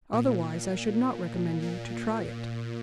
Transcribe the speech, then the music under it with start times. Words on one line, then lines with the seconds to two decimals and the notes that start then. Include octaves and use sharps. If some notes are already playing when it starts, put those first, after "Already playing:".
Otherwise I should not recommend you to try it.
0.13 A#2
1.62 A#2